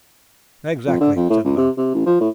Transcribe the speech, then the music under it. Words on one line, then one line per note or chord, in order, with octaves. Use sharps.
"Exactly," said the Baron.
F2
D3
F2
A2
C#2
C3
C3
A1
F3
A2